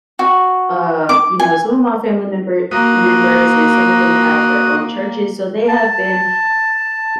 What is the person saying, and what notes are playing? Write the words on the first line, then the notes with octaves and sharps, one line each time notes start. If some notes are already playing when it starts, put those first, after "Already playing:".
uh, you know, some of my family member members and some of them have their own churches, so they have been
F#4
D6
G#5
A#3 F#4 D#6
A5